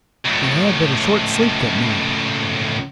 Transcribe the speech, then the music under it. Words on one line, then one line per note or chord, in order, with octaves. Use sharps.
They had but a short sleep that night.
C#2 A2